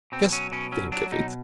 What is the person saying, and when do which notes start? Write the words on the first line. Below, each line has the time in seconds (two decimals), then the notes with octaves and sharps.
Just think of it!
0.12 B2 C4
0.32 F#3 C#4
0.52 B2 C#4
0.72 F#3 C#4
0.92 F#3 D4
1.12 B2 D#4